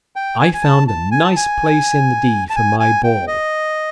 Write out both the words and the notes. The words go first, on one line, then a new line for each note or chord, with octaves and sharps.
I found a nice place in the "D" for my ball.
G5
G#5
G#5
A5
A5
G#5
A5
G#5
A5
G#5
G#5
G5
D#5